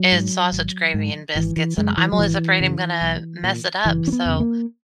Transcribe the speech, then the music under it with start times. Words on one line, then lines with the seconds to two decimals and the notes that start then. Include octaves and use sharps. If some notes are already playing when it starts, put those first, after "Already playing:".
is sausage gravy and biscuits, and I'm always afraid I'm gonna mess it up. So,
Already playing: F#3
0.12 G#2
0.52 G#1
0.94 G#2
1.35 G#1 E3
1.56 E3
1.78 F#2 C#3 G#3
1.97 E3
2.13 F#3
2.19 G#1 E3
2.60 F#2 C#3
3.01 B1
3.43 A#2
3.85 F#1 E3
4.07 C#4
4.12 B3
4.25 E2 C#3
4.40 A#3